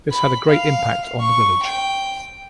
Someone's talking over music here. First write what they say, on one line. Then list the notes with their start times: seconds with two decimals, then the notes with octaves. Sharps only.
This had a great impact on the village.
0.11 B5
0.49 F5
1.20 C#6
1.62 G5